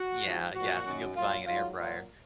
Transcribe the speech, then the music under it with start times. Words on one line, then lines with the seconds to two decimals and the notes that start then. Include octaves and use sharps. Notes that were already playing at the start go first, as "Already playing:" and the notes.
Yeah, yes, and you'll be buying an air fryer.
Already playing: F#4
0.23 G#2 F3
0.54 A#2 F3 F#4
0.85 F#2 D#3 F#3
1.15 A#2 F#3 F4
1.46 G#2 F#3 F4
1.76 A#2 F#3 F4